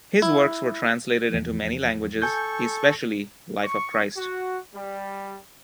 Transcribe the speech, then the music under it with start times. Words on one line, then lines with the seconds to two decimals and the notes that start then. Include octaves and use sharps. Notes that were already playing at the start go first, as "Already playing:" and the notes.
His works were translated into many languages, especially "Life of Christ".
0.22 E4
1.30 E2 F3
2.22 A4 G#5 C#6 G6
3.63 C#6
4.17 F#4
4.74 G3